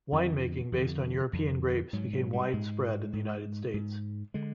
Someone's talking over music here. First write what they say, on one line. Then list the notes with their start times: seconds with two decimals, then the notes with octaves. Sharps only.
Wine making based on European grapes became widespread in the United States.
0.12 F2 D3
0.72 F2 D3
1.33 F2 D3
1.93 G#2 F#3
2.13 F#3
2.33 G3
2.53 G#2 G#3
3.13 G#2
3.74 G#2
4.34 D3 G#3